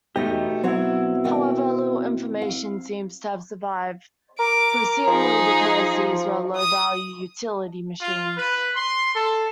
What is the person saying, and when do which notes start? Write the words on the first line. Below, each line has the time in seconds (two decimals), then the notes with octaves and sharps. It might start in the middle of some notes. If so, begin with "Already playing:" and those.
However little information seems to have survived, presumably because these were low-value utility machines.
0.16 E2 B2 A3 B3 D#4 G4 D#5
0.64 F#3 C4 E4 C#5 F#5
1.24 D#3 F#5 G5
2.42 F5
4.39 A#4 D6
5.07 F3 D#4 G#4
6.56 D#6 D#7
7.99 F4
8.36 B4
8.75 C6
9.14 A4